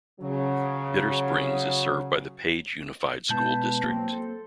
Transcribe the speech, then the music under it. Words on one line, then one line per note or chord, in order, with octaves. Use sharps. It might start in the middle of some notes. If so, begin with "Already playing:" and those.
Bitter Springs is served by the Page Unified School District.
C#3 F#3
B2 G#3 B3 E4 B4 A5 G6
F#3 A#3 C4
A4